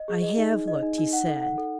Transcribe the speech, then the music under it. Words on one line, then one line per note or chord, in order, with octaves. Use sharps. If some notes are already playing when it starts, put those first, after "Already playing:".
"I have looked," he said.
Already playing: D#5
G#4
D#5
D#4
D#4
D#5
D#4
D#4
F#5
A4
F#5
A4